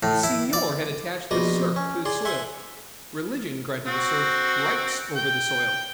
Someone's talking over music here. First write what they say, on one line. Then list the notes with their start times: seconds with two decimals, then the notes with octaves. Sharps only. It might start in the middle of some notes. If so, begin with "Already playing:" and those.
The seignior had attached the serf to the soil; religion granted the serf rights over the soil.
0.03 A2
0.23 E4
0.53 D5
1.31 A#1 B2 B3 D5 D#5 D#6
1.76 C#4
2.05 G#4 D5 C6
2.25 E5 F#5 G#5 C6
3.87 C4 F#4
5.16 G5